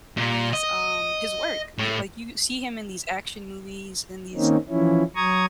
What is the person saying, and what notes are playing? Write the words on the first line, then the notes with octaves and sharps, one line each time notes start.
his, um, his work, y like you see him in these action movies and these
A#2
D#5
A2
D#3 A#3 C4 C#4 D#4
E3 F3 C#4 E4
F#3 A#5 C#6 D#6 G#6